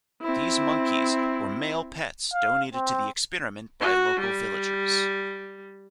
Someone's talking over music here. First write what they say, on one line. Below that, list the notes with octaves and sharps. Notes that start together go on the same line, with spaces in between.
These monkeys were male pets, donated to the experiment by local villagers.
C4 E4
F5
C4
F#4
G3